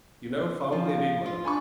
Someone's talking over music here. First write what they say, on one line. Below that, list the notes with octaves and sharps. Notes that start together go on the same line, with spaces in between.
"You never found they did, mother."
F3 C#4
F5
F4
D4 G#5 B5 C#6